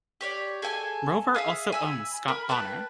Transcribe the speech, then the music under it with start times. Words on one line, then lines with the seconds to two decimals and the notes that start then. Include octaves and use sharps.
Rover also owns Scott Bonnar.
0.21 G4 C#5 D5
0.62 G#4 A4 G5 G#5
1.35 G#4 E5 F5 D#6
1.72 G#5 B5 E6
2.28 A#4 B5
2.49 B4 G5 A5 B5